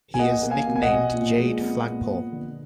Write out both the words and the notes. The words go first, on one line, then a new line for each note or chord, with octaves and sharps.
He is nicknamed "Jade Flagpole".
G#5
A#3 D#5 F#5
A#3
F5 G#5
B2
G#5
D#5 F#5
B2
A#2
G#3
B3
A#2
B3
D3